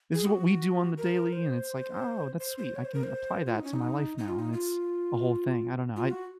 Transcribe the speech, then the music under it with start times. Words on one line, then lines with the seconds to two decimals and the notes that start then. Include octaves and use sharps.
this is what we do on the daily," and it's like, "Oh, that's sweet, I can apply that to my life now," and it's a whole thing. I don't know. I
0.14 G#4
0.26 F#4
0.98 A#4
1.32 C5
2.40 C5
2.58 C5
2.75 C#5
2.85 C5
2.94 A#4
3.03 C5
3.46 F4
3.55 D#4
3.64 C#4
3.73 D#4
4.18 D#4
4.28 F4
4.39 D#4
4.53 F4
5.96 F4
6.10 F#4